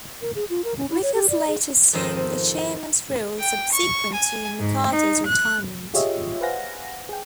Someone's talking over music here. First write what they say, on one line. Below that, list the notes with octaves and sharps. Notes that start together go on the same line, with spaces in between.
Vickers later assumed the Chairman's role subsequent to MacArthur's retirement.
A#4
G#4
F4
A#4
C#4
E4
C#5
G4
D5
G#4
F2 G#2 D#3 C4 C5 D#5
G5
C#6
G#5
G#2
D#4
F#6
F4 G4 G#4 C#5 D#5 E5
B4 C5 F5 F#5 G#5 A#6
G#4 G5